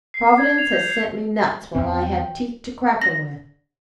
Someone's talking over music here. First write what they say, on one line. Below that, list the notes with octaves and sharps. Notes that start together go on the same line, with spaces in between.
Providence has sent me nuts while I have teeth to crack 'em with.
C7
G#6
F7
G6
C7
E2 C4 G5
A#6